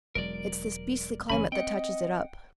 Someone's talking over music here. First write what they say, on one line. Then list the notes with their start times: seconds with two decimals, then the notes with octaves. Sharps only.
It's this beastly climate that touches it up.
0.15 E1 F#3 G#3 A#4 D5
1.29 F#1 G2 A#2 E3 C#4 G#5 B5
1.52 C4 D#5 F#5 G5